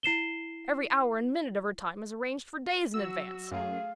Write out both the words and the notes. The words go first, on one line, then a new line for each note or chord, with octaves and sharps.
Every hour and minute of her time is arranged for days in advance.
E4 C7 E7 G7
F#3 F#4 E6
F#2 A3 G#4 F5